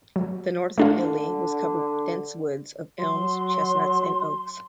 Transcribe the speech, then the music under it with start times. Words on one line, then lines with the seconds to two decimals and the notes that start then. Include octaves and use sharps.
The north of Italy was covered with dense woods of elms, chestnuts, and oaks.
0.16 F#3
0.78 D3 A3 D4 F4
3.00 F#3 C6